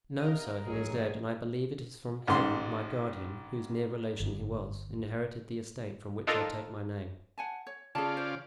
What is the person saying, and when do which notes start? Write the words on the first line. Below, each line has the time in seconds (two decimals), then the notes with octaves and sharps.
"No, sir, he is dead; and I believe it is from him my guardian, whose near relation he was, inherited the estate from which I take my name."
0.20 C3 B3 A#4 D#5 F5
0.66 A1 G#2 F#3 G#4 C#5
2.27 A1 G#2 C6
4.20 G1
6.27 D4 D#4 F4 A4 A#4
7.38 F#5 G#5 A5
7.67 C#5
7.95 C#3 F4 G#4 D5 A5
8.17 C5